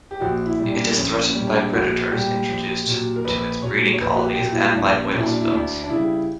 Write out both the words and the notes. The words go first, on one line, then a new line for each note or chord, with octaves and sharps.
It is threatened by predators introduced to its breeding colonies and by oil spills.
G4
A#1 F#4
E4
A#2 G3
D4
A#1 C#4
C#4
A#2 G3
D4
A#1 F#4
A#2 G3 G4
A#1
A#2 F#3
A#4
A#1 B4
A#2 F#3 C#5
C#5
A#1 B4
F#4
G4
A#2 F#3
E4
E4
A#1 D4
C#4
A#2 F#3 E4
D4
E4
D2 D4
D4
C#3 G3 E4